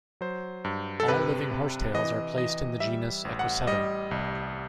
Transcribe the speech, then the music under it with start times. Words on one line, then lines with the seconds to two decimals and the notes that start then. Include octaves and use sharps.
All living horsetails are placed in the genus "Equisetum".
0.21 F#3 C5
0.65 G2
1.00 A4
1.08 C3 B4
1.51 C3
1.94 E3 D#5
2.37 E3 D#5
2.80 G3 E5
3.25 A1
3.39 F#5
3.67 G3 D#5
4.11 C2